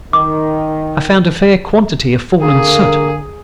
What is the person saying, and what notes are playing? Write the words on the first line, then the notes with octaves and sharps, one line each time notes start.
I found a fair quantity of fallen soot.
D#3 D6
D3 A#3 G#4